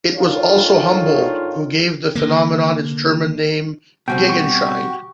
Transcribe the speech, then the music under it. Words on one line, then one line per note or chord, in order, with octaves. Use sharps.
It was also Humboldt who gave the phenomenon its German name Gegenschein.
G#2 D#3 D4 F4 A4 C#5
D3 A#3
B2 G3 C4 F#4 G4 G5
C#6